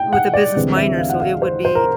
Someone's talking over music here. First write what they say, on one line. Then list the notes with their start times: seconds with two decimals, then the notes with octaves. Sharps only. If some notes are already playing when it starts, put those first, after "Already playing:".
with a business minor, so it would be
Already playing: G5
0.13 F#5
0.34 D5
0.56 D2 C3 E3 G#3 C4
0.77 E5
0.98 F5
1.09 F#5
1.20 F5
1.42 C5
1.65 C5
1.75 A#4